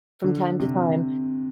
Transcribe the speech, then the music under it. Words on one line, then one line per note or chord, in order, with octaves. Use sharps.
from time to time,
D3
C3